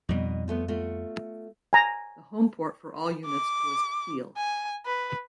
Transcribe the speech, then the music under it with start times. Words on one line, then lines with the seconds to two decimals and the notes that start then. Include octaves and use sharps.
The homeport for all units was Kiel.
0.09 F2 B2 G3 D#4
0.48 F3 A3 B3
0.68 A3 F4 F#4
1.73 G#5 A#5
3.26 D6
4.37 G#5
4.86 B4